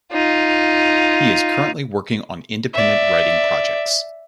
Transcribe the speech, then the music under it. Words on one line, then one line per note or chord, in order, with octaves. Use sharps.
He is currently working on independent writing projects.
D#4 F4
D5 E5